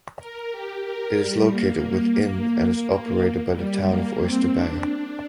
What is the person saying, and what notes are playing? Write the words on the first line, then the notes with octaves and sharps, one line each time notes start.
It is located within and is operated by the Town of Oyster Bay.
A#4
G4
A#4
G3
A#3
G3
A#3
C4
D4
D4